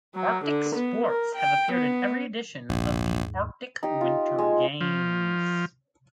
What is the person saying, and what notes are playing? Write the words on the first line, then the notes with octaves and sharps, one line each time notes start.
Arctic sports have appeared in every edition of the Arctic Winter Games.
F#3
D3
B3
A#4
G5
B3
A#1 D#2 G#2
D#4 G4
F4
G#3
F3